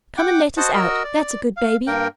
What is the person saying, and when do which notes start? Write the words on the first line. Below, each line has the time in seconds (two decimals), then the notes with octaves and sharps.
Come and let us out, that's a good baby.
0.18 F#5 G5 D6
0.57 F#4 C5 D#5 F#5 A5
0.74 F#4 A#4 D#5 E6
1.04 D5
1.57 F5
1.87 G2 A#3 A#4 G5